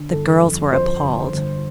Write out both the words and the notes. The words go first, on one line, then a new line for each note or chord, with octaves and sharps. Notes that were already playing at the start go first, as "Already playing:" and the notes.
The girls were appalled.
Already playing: D3
G1 A4
F2
F2 C5
G1
G1